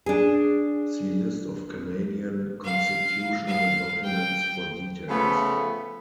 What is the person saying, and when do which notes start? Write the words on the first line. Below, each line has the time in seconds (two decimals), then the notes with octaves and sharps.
See list of Canadian constitutional documents for details.
0.06 D4 G#4
2.65 F5
3.47 F5
4.04 G5
5.09 C#3 F3 A3 B3